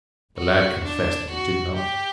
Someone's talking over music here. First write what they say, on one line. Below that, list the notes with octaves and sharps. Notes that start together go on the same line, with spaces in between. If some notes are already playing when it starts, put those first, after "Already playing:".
The lad confessed that he did not.
F#4
D4
F#4
G4